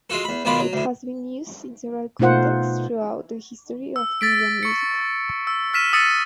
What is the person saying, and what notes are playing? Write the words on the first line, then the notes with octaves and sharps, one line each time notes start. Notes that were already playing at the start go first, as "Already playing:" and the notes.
It has been used in several contexts throughout the history of Indian music.
G#3 F4 F#4 A4
E2 B5
B1 B2 D#3 D4 F4 B5
F#3
D2 A2
B2 A3 D#4 F4 C5 F#5
E6
E6 A6 B6 D7
C#6 C#7
E6
E6 F6 B6 D#7 E7
D#6 E6 A6 C#7 D#7